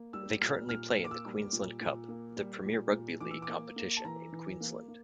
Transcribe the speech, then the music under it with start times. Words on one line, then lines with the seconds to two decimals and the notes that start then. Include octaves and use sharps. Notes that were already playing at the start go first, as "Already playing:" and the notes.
They currently play in the Queensland Cup, the premier rugby league competition in Queensland.
Already playing: A#3
0.13 G3 E6
0.41 A#2 F6
0.69 A#2 F6
0.97 A#3
1.04 D6
1.11 E6
1.26 G3
1.53 A#2
1.81 A#2
2.08 A#3
2.37 G3
2.65 A#2
2.93 A#2
3.20 E3 D6
3.31 E6
3.42 D6
3.48 A#3
3.76 A#3
3.97 A5
4.05 E3 A#5
4.33 E3
4.61 A#3
4.88 A#3